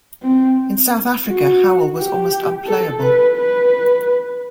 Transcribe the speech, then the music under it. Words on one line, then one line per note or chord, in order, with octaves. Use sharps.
In South Africa Howell was almost unplayable.
C4
F#4
G4
A4
B4
B4